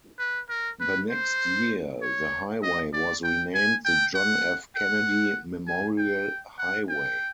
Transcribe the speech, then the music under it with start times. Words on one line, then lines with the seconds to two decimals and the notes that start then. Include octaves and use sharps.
The next year, the highway was renamed the John F. Kennedy Memorial Highway.
0.19 B4
0.49 A#4
0.80 B4
1.10 C5
2.02 C#5
2.63 D#5
2.93 D5
3.23 G5
3.54 G#5
3.85 G5
4.14 F#5
4.76 F#5
5.67 G#5
5.98 G5
6.58 F#5
6.89 G5